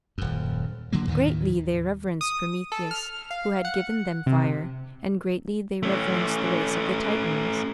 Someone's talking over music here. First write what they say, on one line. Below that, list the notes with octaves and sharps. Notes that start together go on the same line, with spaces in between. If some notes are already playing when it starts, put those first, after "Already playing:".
Greatly they reverenced Prometheus, who had given them fire, and greatly they reverenced the race of the Titans.
D#1 F#2
D3 F#3 A#3
D#2 A2 D#3 E3
D#6
A4
F6
F5
F#5
C3
A3 C#4